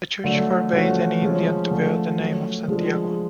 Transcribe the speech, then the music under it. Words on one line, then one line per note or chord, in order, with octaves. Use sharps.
The church forbade any Indian to bear the name of Santiago.
D3 F#3 A3
F3 A3 C#4 F#4
F3 G#3 C#4
D3 F3 A3
F#3 A3 C#4
F3 G#3 D4 F4